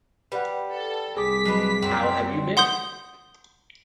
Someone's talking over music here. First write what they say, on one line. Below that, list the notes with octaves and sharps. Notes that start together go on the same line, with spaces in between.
How have you been?
G3 B4 D5 F#5
A4
C2 G#4 D6 B6
F#3 G#3 D4 B4
F#2 F#3 C4
G3
F#5 C6 D#6 G6